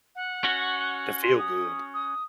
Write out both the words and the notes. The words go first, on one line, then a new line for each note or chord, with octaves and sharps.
to feel good.
F#5
C#4 F#4
C6
D#6
D#6